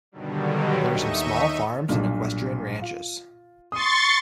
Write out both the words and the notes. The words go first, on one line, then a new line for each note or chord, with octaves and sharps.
There are some small farms and equestrian ranches.
G2 B2 D3 D#3 F#3 G3
D#2 D#4 D#5 E5 C#6 D#7
B1 G2 A#2
F4
C6 C#6 D#6 A6 D#7